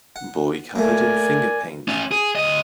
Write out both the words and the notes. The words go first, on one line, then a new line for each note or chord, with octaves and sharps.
Boy covered in finger paint.
F#5
A3 A#3 A#4 D5 G#5
A3 C#4
G#4
D2 D#5